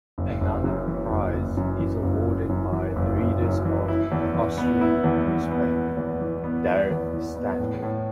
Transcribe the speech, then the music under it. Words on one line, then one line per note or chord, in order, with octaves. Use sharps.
Another prize is awarded by the readers of the Austrian newspaper "Der Standard".
F#1
F#1
F#2
E3
F#1
F#1
F#2
E3
F#1
F#1
F#2
E3
F#1
F#1
F#2
E3
E4
E2
E3
B3
E4
E2
E3
B3
E4
E2
E3
B3
E4
E2
E3
B3
A2
A2